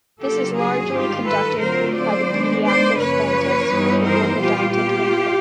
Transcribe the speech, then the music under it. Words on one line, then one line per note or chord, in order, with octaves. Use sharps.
This is largely conducted by the paediatric dentist with orthodontic input.
C#3 F#3 A#3 D4 F4 G4 A4
F#4 G#4
G#2 D#3 G3 F4 G4
A4 B4
D3 F#3 A3 C4 F4 A#4 C5
C5 D5
D#3 G#3 B3 D4
C5 D5
F#2 C#3 F3 A#3 C#4 B4 C#5
G2 E3 G3 B3 D#4
A#4 C5
A#2 G3 B3 F4 G4
F4 G4